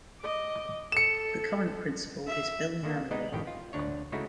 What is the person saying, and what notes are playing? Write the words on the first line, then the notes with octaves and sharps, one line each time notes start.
The current principal is Bill Manley.
D#5 D6
A4 C#7 E7
E5
D3 D#3 A#3
G#3 B3 D#4 D5 D#5
A1 F2 A2 D#3 G4 G5
F4
D2 D4 C#5
C#3 G#3 A3 D#4 E4 F#4